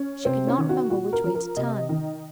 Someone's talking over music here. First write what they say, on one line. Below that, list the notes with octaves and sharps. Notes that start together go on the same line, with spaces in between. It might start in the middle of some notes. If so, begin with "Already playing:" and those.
She could not remember which way to turn.
Already playing: C#4
C3 C4
C#4
D#3
F#4
A#2 F#4
A#4
F3
A#4
C3 D#5
D#3